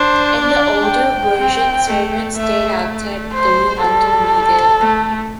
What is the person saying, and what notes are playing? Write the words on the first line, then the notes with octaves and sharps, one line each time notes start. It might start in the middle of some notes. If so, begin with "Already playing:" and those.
In the older version, servants stayed outside the room until needed.
Already playing: D4 C5
D5
G5
C4
A3
A3 E5
C5
G3 A4
A3